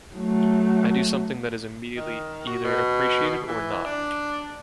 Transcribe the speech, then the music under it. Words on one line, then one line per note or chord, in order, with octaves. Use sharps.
I do something that is immediately either appreciated or not.
F#3 A3
D#3
F#4
B2
E3
D4